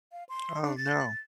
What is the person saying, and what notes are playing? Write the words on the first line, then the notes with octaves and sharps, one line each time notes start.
Oh, no.
F5
C6
D4
A6